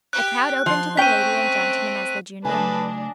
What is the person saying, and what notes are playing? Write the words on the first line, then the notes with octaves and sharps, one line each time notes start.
The crowd opened to the lady and gentleman as they drew near.
G4 F#6
F3 C6
A3 C4 C#4 G5 B6 D#7
C#3 F#3 A3 D4 B4 D#5 G#5 A5